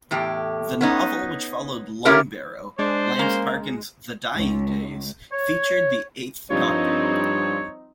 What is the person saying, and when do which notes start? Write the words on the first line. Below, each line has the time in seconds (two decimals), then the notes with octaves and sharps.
The novel which followed "Lungbarrow", Lance Parkin's "The Dying Days", featured the Eighth Doctor.
0.11 E2 A2 G4
0.81 B3 C#4 D#4
2.05 A3 A#3 C#4 E4 G4 A#4
2.79 G#3 D4 C5
3.19 A#3 C#4 A#5
4.34 C#2
5.31 C#5
6.51 G2 F3 G3 C4 D#4 F4 C#5